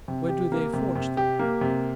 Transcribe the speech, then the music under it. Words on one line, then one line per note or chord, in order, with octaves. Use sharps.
Where do they forge them?
C3
G4
A#3
C3
C3
G4
A#3
C3